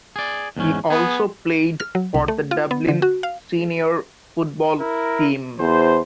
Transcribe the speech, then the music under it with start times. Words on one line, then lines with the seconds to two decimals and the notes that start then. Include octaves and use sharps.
He also played for the Dublin Senior football team.
0.16 G#4 D5
0.57 E2 G#2 C#4
0.90 B3 G#4
1.80 F6
1.95 F#3
2.14 C2
2.28 A3
2.51 F4
2.71 B3
2.88 D3
3.02 F#4
3.23 F5
4.79 E4 A#4
5.60 E2 C5